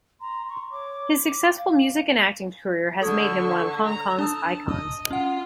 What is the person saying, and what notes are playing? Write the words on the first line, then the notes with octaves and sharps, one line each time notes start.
His successful music and acting career has made him one of Hong Kong's icons.
A#5 C6
C#6
C#5 D6
G5
F5
D3 A4 C#6 D#6 G#6
A#5
D4 A5 D#6 E6
D#5 D#6
C#4 F4 F#5